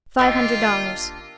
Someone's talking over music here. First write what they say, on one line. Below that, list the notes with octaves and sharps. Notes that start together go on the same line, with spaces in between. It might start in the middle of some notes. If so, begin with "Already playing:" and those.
"Five hundred dollars."
G1 A#3 D4 F4 G4 D#5 G5 E6